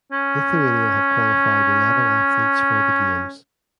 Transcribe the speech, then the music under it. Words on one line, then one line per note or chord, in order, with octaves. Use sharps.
Lithuania have qualified eleven athletes for the Games.
C#4